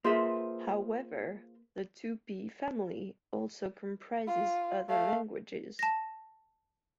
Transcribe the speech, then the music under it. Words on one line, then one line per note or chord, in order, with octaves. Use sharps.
However, the Tupi family also comprises other languages.
A#3 F4 G#4 B4 C5 E5
F4
A3 F5
A5 A#6